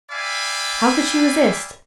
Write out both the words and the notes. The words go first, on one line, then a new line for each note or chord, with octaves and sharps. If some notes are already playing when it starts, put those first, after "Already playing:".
How could she resist.
D5 E5 F5 G5 G#5 B5